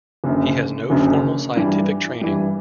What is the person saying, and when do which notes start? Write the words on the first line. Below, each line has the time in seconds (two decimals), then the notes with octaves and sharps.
He has no formal scientific training.
0.24 F#1 F#2 D3
0.90 F#1 F#2 D3
1.56 G2 E3 G3
2.21 G2 E3 G3